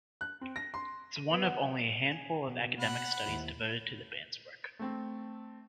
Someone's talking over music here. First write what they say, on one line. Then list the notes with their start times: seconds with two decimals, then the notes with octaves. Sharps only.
Its one of "only a handful of academic studies" devoted to the band's work.
0.21 F#6
0.41 C4
0.56 A#6
0.74 C6
1.16 D#7
1.31 B3
1.45 F#5
2.12 G#5
2.48 B2 B3
2.80 F#5 B5
3.24 D#2 E4 C5
4.79 A3 C4